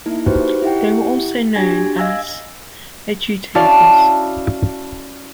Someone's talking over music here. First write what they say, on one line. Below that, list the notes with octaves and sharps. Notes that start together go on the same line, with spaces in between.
They were also known as "adjutators".
A#3 D#4 E4
D#4 F#4 G4 B4 C5
E4 G4 F#5 G5
D4 F#4 G4 G#5 G#6 A#6
D#5 F5 G#5 E6 G#6 A#6
C#4 E4 F#4 D5 F5 A5